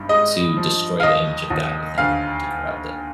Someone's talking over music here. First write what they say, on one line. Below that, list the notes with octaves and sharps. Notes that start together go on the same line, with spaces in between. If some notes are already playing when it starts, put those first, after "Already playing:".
to destroy the image of God within you, to corrupt it.
Already playing: G#1 G2
G#3 D#5
F3
F5
D#2 D#5
D#2
D2 F5